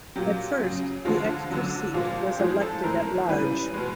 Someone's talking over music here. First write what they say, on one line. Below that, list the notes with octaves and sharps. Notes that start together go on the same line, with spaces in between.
At first, the extra seat was elected at-large.
A#2 F#3 G4
C#3 F#3
D3 F3 G#3 F4
D3 F#3
A#2 F3 G#3 F4
G4
G4
A2 F3 G#3 G#4
A4
A2 F3 G#3 A#4
C#3 E3 G3 B4
B2 G#3